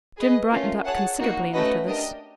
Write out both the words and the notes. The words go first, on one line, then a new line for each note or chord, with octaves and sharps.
Jim brightened up considerably after this.
G#4 B4 D#5
A3 C#4 F4 A#4
G#4 C#5 F#5 A5
A#3 D#4 F#4
A3 C#4 F#4 B4 D#5
D4 G4 A#4 D#5